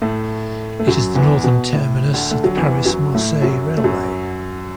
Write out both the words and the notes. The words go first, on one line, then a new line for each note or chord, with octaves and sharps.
It is the northern terminus of the Paris-Marseille railway.
A2 A3
A3
F#2 F#3
E2 E3
B2
A2
D2 D3
A3
F#3
E2 E3
F#2 F#3
A2 A3
F#2 F#3
A3
F#2 F#3